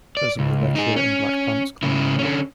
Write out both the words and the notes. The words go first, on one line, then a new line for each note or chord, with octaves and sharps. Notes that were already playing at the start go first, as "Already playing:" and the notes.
Person with red shirt and black pants climbing a rock.
D5
C#2
D#4 G#4
C#4
C#3 E4
D3 C#4